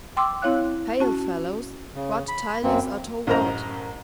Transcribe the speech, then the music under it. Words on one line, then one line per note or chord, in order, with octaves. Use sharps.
"Hail fellows! what tidings are toward?"
G5 C6 D6 E6
C4 E4 C#5 F5 F#6
C#4 F#4 A5
C#3
B5
F#2 A#3 C4
A1 F#2 A#4 C5 D#5 A#5